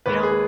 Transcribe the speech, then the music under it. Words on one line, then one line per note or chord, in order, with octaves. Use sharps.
you don't
D#2 B4
G#4
G#3